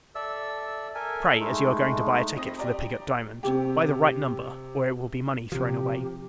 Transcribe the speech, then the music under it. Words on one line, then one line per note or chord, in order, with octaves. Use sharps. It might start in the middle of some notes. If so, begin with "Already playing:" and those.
Pray, as you are going to buy a ticket for the Pigot diamond--buy the right number, or it will be money thrown away.
A4 D5 E5 E6
A4 A#4 E5 G#5
G#3 A3 D#4
F2 C4 D#6 A#6
G4 D5 A#5
C3 G4
C3 F3 G4